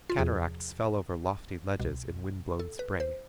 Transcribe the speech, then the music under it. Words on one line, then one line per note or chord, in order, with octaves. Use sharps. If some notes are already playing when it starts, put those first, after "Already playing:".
Cataracts fell over lofty ledges in wind-blown spray.
F4
E2 C3 F3 G#4
C2 B2
A4
B4
C5